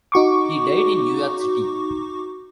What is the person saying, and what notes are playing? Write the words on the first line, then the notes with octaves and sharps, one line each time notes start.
He died in New York City.
D#4 F#4 C#6 D6